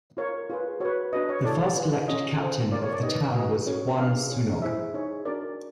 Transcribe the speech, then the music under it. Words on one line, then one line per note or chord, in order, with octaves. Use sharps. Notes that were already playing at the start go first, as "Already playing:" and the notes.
The first elected Captain of the town was Juan Sunog.
F4 A#4 C#5
F4 G#4 B4
F#4 B4 C#5
D4 F#4 B4 D#5
C#5
E4 A4 C#5 D5
F4 G#4 B4
C#4 F4 G#4 C#5 D#5
F4 A4 C5
F4 A#4 C#5 D5
C#5
D5
D#4 G4 B4 D#5
F#4 B4 D#5
C#4 F#4 A#4 C#5
D4 F4 G#4 B4 F5
F4 G#4 C#5
E4 G#4 C5 E5
D#4 G#4 C#5
D4 F#4 A#4 D5